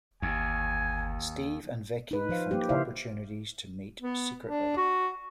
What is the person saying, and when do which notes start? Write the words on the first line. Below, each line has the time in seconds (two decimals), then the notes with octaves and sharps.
Steve and Vickie find opportunities to meet secretly.
0.22 G1 D#2 G#5
2.11 D#4 B4
2.29 F3 C5 F5
2.51 A#3 G4
2.69 C#3 D#4 E4 C5 E5 F5
4.01 B3
4.46 D4
4.77 F#4